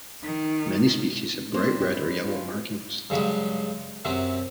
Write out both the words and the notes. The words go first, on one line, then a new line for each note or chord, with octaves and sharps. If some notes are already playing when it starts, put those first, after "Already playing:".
Many species have bright red or yellow markings.
D#3
G3 A#3 C4 G4 C5
G#3 C4 D4 E4 G4
C#4 F4
G2 C#3 F#3 G#3
F#2 C3 F#3 C4